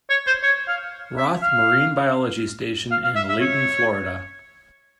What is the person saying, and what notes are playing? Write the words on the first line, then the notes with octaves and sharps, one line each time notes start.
Roth Marine Biology Station in Layton, Florida.
C#5
C5
C#5
F5
E5
F5
F5
F5
E5
E5
C#5